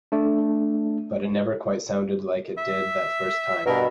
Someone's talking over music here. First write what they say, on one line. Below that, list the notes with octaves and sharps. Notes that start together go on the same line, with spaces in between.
But it never quite sounded like it did that first time.
A3 D4
E5
G2 B2 A#4